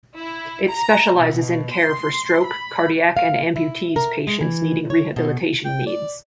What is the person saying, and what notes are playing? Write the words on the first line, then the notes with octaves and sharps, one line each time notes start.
It specializes in care for stroke, cardiac and amputees patients needing rehabilitation needs.
E4
A#5
B2
C6
B5
F5
E4
A#4
G#3
E3
C#5
B2
G5
D5